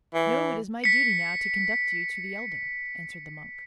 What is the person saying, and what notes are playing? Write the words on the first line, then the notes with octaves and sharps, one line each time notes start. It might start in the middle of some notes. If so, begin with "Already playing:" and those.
"No, it is my duty now to conduct you to the elder," answered the monk.
E3
B6 C#7